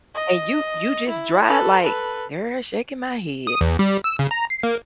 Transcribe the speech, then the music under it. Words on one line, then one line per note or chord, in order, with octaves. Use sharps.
And you you just dry like, "Girl, shaking my head.
D#5
E4
A4 B4
A4 B4
D#6
E2
G3
E6
C#3
A#5
C7
A#3